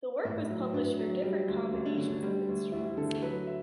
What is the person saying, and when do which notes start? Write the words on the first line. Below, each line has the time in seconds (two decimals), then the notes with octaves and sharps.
The work was published for different combinations of instruments.
0.25 A2
0.50 F#3
0.73 A2 D4
0.99 F#3
1.23 G3
1.48 D2
1.73 D2 C#4
1.86 D4
1.97 D3 C#4
2.10 D4
2.23 G3
2.48 D2
2.72 D2 E4
2.85 E4
2.97 D3 A4
3.09 A4
3.22 F#3 B4
3.47 E5